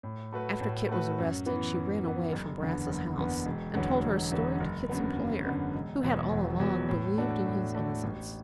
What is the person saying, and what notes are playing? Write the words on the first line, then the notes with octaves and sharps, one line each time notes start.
After Kit was arrested she ran away from Brass's house and told her story to Kit's employer, who had all along believed in his innocence.
A2
A3 F#4 B4
A2
A3 F#4 B4
F#2
E3 B3
F#2
E3 B3
F#1
E2 D3 B3
F#1
E2 D3 B3
E1
E2 D3 F#3 B3
E1
E2 D3 F#3 B3
F#1
F#2 D3 B3
F#1
F#2 D3 B3
E1
E2 B2 F#3
E1
E2 B2 F#3
A2
A3 D4 F#4
A2
A3 D4 F#4
A1